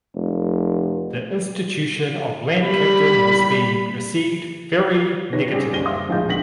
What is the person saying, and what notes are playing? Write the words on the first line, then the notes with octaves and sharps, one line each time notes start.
The institution of land captain has been received very negatively.
F1
G3 B5
D#3 B4 C#5 A#6
G3 C4 C#4 G4 G#4
F#1 C2 C#4 A#6 D#7 G7
E5 F5 C6 D#6
D#1 A1 F3 G#3 G6
C2 D3 F#4 A#6 B6 F#7